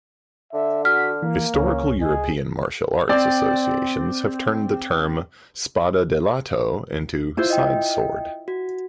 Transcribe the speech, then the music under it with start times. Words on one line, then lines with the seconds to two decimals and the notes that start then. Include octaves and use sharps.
Historical European Martial Arts associations have turned the term "spada da lato" into "side-sword".
0.53 D3 E5
0.85 F#4 F6 B6
1.23 E3 A#3
1.54 C#2 C#4
2.01 G#3 G#4
3.09 C4 D5
7.37 E4 F4 C5
7.50 D#5 G5
8.48 F#4